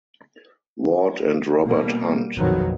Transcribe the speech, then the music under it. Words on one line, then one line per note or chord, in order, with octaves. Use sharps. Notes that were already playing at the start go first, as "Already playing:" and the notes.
Ward and Robert Hunt.
B2 G3 A#3
A#1 F2 B2 D#3 F#3